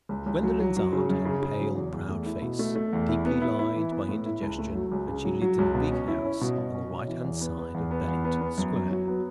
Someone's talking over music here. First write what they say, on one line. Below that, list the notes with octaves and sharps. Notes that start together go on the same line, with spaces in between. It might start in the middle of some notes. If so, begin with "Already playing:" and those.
Gwendolen's aunt had a pale, proud face, deeply lined by indigestion, and she lived in a big house on the right-hand side of Bellington Square.
C#2
C#2
F#3
F#3
F#3
C#3
F#2
C#3
C#3
F#3
E2
E2
A3
E4
B2
A3
A3
E2
E4
B3
E4
E4
E3
B3
A2
E4
C#2
A3
F#3
C#2
C#3
F#3
F#3
C#2
B2
C#4
E4
C#4
B2
B2
C#4
B2
E3
E2
B3
B3
E2
B3
E2
B3
B3
F#2
F#3
F#3
B3